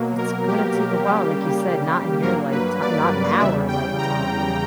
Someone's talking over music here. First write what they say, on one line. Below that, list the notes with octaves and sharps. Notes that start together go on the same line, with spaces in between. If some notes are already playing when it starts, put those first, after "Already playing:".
it's gonna take a while, like you said, not in your lifetime not in our lifetime.
Already playing: B2 F#3 A#3
A#4
G4
C#3 G3 A#3 G4
G2 F#3 A#3 A#4
B4
D5
E2 C#3 G3 E5
G5
A#5